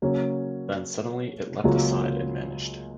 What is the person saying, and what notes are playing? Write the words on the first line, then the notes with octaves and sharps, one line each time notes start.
Then suddenly it leapt aside and vanished.
C#3 F#3 A#3 C#4
C#2 C#3 F#3 A#3 F4